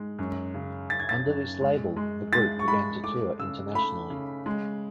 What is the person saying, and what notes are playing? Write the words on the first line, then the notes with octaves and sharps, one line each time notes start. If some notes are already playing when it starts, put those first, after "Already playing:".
Under this label the group began to tour internationally.
Already playing: G#2 G#3
F#2
C#3
F#2 A6
G#6
A6
F#2
G#3
G#3
G#3 A6
C#6
G#3 B5
A3 D6
C#3 E6
A3 B5
C#3
G#3